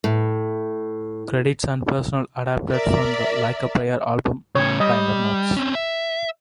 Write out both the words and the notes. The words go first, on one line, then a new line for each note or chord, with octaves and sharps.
Credits and personnel adapted from "Like a Prayer" album liner notes.
A2
A#4 D5 E5
A2 C#3 C#5
G3 D#5
C4 C#4
E5